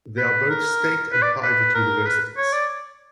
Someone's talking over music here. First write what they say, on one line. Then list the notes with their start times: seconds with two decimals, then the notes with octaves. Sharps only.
There are both state and private universities.
0.18 B4
0.50 A#4
1.12 B4
1.22 D5
1.43 B4
1.75 A#4
2.06 B4
2.37 C#5
2.53 D5